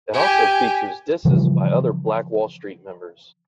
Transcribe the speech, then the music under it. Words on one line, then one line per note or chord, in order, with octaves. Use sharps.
It also features disses by other Black Wall Street Members.
G4 G#5
C#3 E3 F3 G3